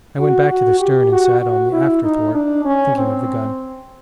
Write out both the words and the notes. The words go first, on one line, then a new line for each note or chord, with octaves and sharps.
I went back to the stern and sat on the after thwart, thinking of the gun.
F#4
F#4
G4
F#4
F#4
E4
D#4
D4
C#4
C4